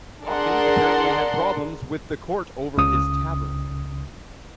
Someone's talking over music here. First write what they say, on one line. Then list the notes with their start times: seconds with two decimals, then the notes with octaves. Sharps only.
Hopkins apparently had problems with the Court over his tavern.
0.24 D4 G#4 A#4 D5 F#5 C6
2.78 C#2 C#3 D#6